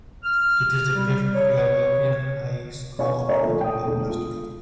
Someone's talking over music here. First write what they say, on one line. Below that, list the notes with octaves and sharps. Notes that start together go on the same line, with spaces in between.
It is the fifth Philadelphia high school operated by Mastery.
F6
G3
C#5
C#5 F5 F#5 G#5 C#6
A#4 C#5 D5 E5 G#5 A#5
A#2 D3 F3 A3
G5 D#6
E1 D3 A3
F4